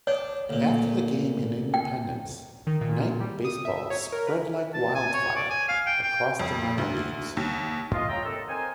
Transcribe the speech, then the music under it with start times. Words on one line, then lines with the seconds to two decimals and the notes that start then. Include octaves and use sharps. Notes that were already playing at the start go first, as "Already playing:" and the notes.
After the game in Independence, night baseball "spread like wildfire" across the minor leagues.
0.07 D4 C#5
0.49 D2 A#2
1.74 G5
2.67 D#3
2.81 A#2
3.20 G3
3.44 D#6
3.65 E5
3.90 C#5
4.12 A#4
4.27 B4
4.74 A5
4.95 G#5
5.14 C#5
5.36 D5
5.50 G#5
5.69 F5
5.87 G5
6.03 G5
6.39 F2
6.78 D2
7.37 D#2
7.92 F4 D#5
8.09 C#5 E5 G5 A#5
8.24 D#2 D3 C4 A4
8.47 C4 D#4 A#4 C5 G#5